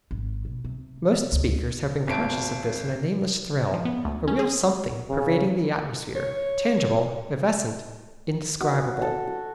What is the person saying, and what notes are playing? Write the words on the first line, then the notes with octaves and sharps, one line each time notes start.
Most speakers have been conscious of this in a nameless thrill, a real something, pervading the atmosphere, tangible, evanescent, indescribable.
G#1
B2
C3
D2
G#1 D2 A5 D7
F3
B3
D2
C#4
G#4
C#3
C#5
F#4
A4
F#4